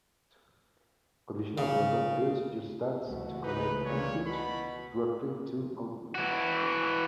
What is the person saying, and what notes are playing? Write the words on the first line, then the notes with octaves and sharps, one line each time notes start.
Conditional random fields use tags to connect inputs directly to outputs.
C#3
C#2 E3 A3 F#4
D#4 B4
A#2 C#5
B2 B5
E3 F#4